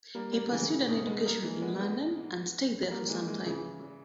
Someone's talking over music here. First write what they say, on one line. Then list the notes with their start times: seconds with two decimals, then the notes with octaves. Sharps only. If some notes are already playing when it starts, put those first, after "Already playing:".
He pursued an education in London and stayed there for some time.
0.15 G3 A#3
0.32 G3 A#3
0.51 C#3 E3
0.69 C#3 E3
0.88 B2 D#3
1.06 G#3 B3
1.25 G3 A#3
1.43 E3 G#3
1.62 G#3 B3
1.79 G#3 B3
2.90 G3 A#3
3.09 E3 G#3
3.28 E3 G#3
3.45 C#3 E3